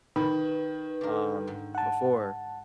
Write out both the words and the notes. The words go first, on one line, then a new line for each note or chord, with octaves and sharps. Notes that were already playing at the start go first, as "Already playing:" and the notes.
um, before,
D#3 B4
D3 A#4
G#2
F#5 A5